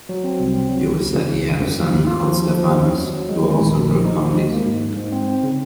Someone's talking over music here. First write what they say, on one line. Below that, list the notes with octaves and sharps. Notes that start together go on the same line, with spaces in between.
It was said he had a son, called Stephanus, who also wrote comedies.
F#3
C4
C2
C4
F#3
C#2
C#3
C#3
C#2
G#1
F#2
F3
G#1
F4
F3
F3
F3
F2
C#4
F#3
F#3
G#3
D#3
A#1
A#1
F3
D#4
F3
G#3
A#3
G#2
G#2
G#2
C4
C4
C#3